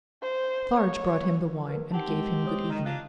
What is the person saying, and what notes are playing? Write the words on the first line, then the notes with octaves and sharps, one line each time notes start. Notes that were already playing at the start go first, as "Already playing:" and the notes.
Defarge brought him the wine, and gave him Good Evening.
C5
C#5
A#4 B4
C4 D#4 G4 F#5 A5
G#3
C5 C#5 D#6
D#3 D#5
A#3 D4 F4 F#6